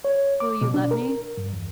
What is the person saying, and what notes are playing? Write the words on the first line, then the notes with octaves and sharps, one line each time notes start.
"Will you let me?"
C#5
D6
B2
D4
A#4
G2
E2